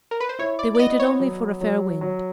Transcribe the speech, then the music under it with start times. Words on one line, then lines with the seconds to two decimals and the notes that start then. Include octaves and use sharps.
They waited only for a fair wind.
0.11 A#4
0.20 B4
0.29 C5
0.39 E4 C#5
0.59 D5
0.75 D5
0.79 B3 D#5
1.00 C#5
1.20 F#3
1.61 F#3
2.01 F#3